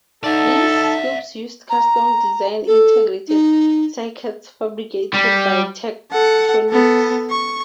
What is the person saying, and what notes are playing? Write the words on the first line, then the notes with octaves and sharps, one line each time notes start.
These scopes used custom designed integrated circuits fabricated by Tektronix.
D#4 A4 D5 E5 A5
A#5
A4
D#4
G3
A4 F#5
B3 A4
C#6